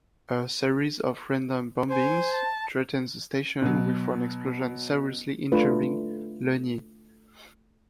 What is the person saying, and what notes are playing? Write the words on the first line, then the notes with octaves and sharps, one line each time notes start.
A series of random bombings threaten the station, with one explosion seriously injuring Lennier.
C5 G#5
A5
B2 F#3
A3 D4 F4 B4